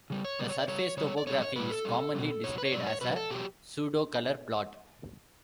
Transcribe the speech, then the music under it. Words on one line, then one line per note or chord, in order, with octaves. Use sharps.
The surface topography is commonly displayed as a pseudocolor plot.
C#3 G3
C#5
C#3 G3 D5
C#5
D5
C#3 G3 C#5
C#3 G3 C#5
D5
B2 G3 C#5
C#5
B2 G3 B4
A4
B2 G3
B2 G3
B2 F#3 C#5
B4
C#5
B2 F#3 D5
C#5
B2 F#3 B4
B4
A4
B2 F#3 G4